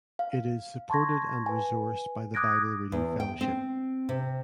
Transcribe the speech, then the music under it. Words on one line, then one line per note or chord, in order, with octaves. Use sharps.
It is supported and resourced by the Bible Reading Fellowship.
F5
A5 C6 C#6 G#6 A#6
B4 G#5
D6 D#6 F#6 G#6 A#6 D7
E2
G5
C4
C3